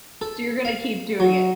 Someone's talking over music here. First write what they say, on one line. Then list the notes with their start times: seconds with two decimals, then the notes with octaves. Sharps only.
So, you're gonna keep doing it.
0.21 A4
0.65 F5
1.20 F#3